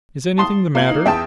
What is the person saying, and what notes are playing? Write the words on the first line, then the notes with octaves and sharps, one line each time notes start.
'Is anything the matter?
A5 C6 D#6
A#3 F4 F#7
D#4
E2 E5 G5 A5 D#6